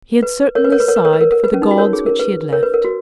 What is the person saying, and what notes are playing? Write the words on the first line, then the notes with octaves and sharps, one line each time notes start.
He had certainly sighed for the gauds which he had left.
B4
A#4 C#5
B4
A#4 C#5
B4
A#4 C#5
B4
A#4 C#5
B4
A#4
A#4
B4
C#4
D#4
F#4
A#4 C#5
G#4
A#4
B4
A#4 C#5
B4
A#4
F#4